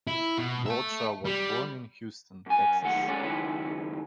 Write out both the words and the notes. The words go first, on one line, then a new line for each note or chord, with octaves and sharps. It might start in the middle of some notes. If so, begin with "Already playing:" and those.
Bradshaw was born in Houston, Texas.
E4
B2
E5 A5
G3
F#2 G#5
D#3 F#3 A3 F5 F#5
G#3 C#4 D4 A4 C#5
C#2 F#2 D#3 E4 B4 C#5